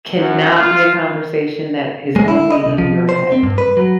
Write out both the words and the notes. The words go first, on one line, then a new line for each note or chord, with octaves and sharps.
cannot be a conversation that is only in your head,
F#2
F4
G#3
E4
D#5
C2
F3
C5
C4
G2
B4
F#3